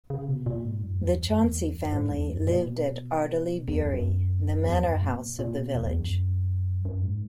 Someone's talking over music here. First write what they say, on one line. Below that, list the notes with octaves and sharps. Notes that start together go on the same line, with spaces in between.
The Chauncy family lived at Ardeley Bury, the manor house of the village.
C#3
B2
A#2
G#2
F#2
E2
F#2
E2
F#2
G#2
E2
F#2
A#2
B2
E2
F#2
F#2
E2
F#2
A#2
A#2
B2
E2
E2
F#2
F#2
G#2